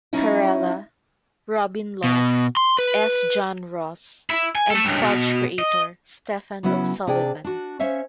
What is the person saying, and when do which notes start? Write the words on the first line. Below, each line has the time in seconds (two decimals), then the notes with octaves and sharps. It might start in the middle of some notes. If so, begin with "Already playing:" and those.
Carella, Robin Laws, S. John Ross, and "Fudge" creator Steffan O'Sullivan.
0.13 F#3 C#4 D#4 E4
2.04 B2
2.57 C6
2.79 B4
4.30 E4 E5
4.55 G#5
4.71 A3 A4
4.85 C#2 G2
5.02 B2
5.59 D#5
6.63 C#3 F#3 B3 C#4 E4 F#4
7.07 C3 D4 G#4 D5 G5
7.44 D4 F#4
7.79 C#4 C5 C#5 E5 F5